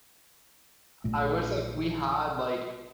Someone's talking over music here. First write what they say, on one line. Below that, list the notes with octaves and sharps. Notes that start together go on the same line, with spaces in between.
I wish, like, we had, like
A#1 A#2 A3